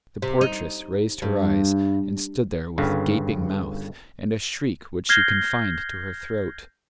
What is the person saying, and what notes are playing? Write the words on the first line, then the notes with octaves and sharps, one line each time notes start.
The portress raised her eyes, and stood there with gaping mouth, and a shriek which she confined to her throat.
C3
D#4
G2
G1 G2 C#3
F6 G6 G#6 A#6 C7 G7